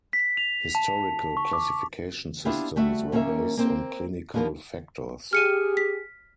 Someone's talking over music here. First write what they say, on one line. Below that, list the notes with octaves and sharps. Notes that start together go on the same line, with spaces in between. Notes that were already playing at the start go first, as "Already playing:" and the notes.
Historical classification systems were based on clinical factors.
B6
F7
A5
C#6
D6
B3 D4 E4 F4 G4
G3 A3 F#4 E5
D#2 A#3 C#4 A#4 E5
A#3 C4 C5
F3 F#3 A#3 B3 D4
G4 G#4 F6 C#7 D#7
B6